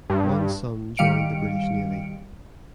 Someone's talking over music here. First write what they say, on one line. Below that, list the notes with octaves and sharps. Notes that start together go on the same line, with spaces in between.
One son joined the British Navy.
G2
D#3 G3 F5 C#7 D7